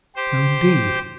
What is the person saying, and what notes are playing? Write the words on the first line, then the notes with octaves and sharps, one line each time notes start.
No, indeed!
G4 C5